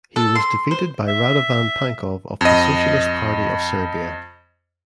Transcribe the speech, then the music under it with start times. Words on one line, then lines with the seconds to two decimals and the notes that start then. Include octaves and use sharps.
He was defeated by Radovan Pankov of the Socialist Party of Serbia.
0.16 A4
0.35 C6
0.71 C5
1.07 E5
2.41 F2 D#5